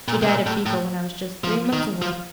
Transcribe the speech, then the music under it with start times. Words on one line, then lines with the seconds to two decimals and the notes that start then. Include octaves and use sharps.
She died of fever when I was just three months old.
0.08 A#2
0.22 C3
0.27 A#2
0.46 A2
0.66 A2
1.44 F3
1.73 D#3
2.02 F3